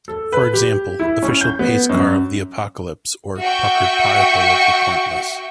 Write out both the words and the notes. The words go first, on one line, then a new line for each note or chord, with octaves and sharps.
For example, "Official pace car of the apocalypse" or "puckered piehole of the pointless".
A4
B4
G4
E4
C#4
G6
B3
F#2
F#4 E5 G5 C#6